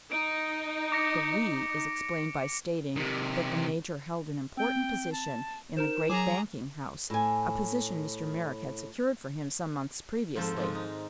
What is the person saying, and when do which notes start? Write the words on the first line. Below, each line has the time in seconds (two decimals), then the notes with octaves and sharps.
The "we" is explained by stating that the Major held an important position in the great banking house--a position Mr. Merrick had secured for him some months previously.
0.12 D#4 D7
0.92 D6 A#6 C#7
2.96 C3 D#3
4.57 C4 G5
5.12 A5
5.77 D#4 A#4 C5 E7
6.10 F#3 G#4 A#5 D6 F7
7.10 A2 G#5
10.35 F2 G#2 F3 A4 C5 A5
10.56 G#2 D#3 F3 G#3
10.75 D#4